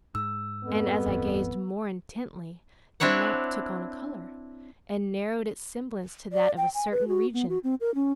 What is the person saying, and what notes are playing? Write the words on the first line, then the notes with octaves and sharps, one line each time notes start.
And as I gazed more intently the map took on color, and narrowed its semblance to that of a certain region.
G#2 E6
F2 B3
D1 G2 E3
C4 D4 E4 C#5 F#5
D5
G5
G#5
B4
F#4
B3
F#4
C4
A#4
C#4